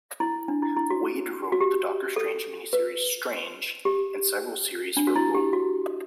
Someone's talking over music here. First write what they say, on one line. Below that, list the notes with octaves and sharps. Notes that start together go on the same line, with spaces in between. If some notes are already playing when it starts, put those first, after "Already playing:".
Waid wrote the Doctor Strange mini-series "Strange", and several series for Boom!
E4
D4
E4
E4
F#4
F#4
G4
A4
B4
G4
D4
F#4
E4
G4
F#4